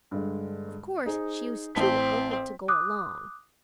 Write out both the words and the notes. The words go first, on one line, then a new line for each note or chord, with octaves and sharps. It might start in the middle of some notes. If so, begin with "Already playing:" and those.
Of course, she was too old to go along.
G2 D3 G#3
D#4 G#4 C5
A1 C4 A5 B6
D6 D#6 F#6